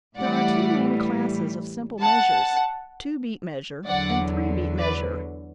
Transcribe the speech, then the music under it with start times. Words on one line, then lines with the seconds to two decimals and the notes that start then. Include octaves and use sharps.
There are two main classes of simple measures, two-beat measure, and three-beat measure.
0.17 A2 E3 G3 D5 F#5
2.02 F#5 A5
3.86 E2 D3 F#3 D5 F#5
4.78 B4 D5